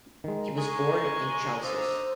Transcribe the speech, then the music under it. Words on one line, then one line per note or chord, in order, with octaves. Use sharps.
He was born in Chalcis.
D#3 G#3 F5 A#5
G#3 G#4 G#5 C#6
D3 D#4 C5